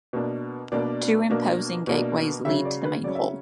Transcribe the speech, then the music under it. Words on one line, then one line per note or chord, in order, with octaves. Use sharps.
Two imposing gateways lead to the main hall.
B2 A#3 D4
B2 A#3 D4 D5
B2 A#3 D4
B2 A#3 D4
C#3 F#3 C#4 E5
D5
B4
C#3 F#3 C#4 D5
E5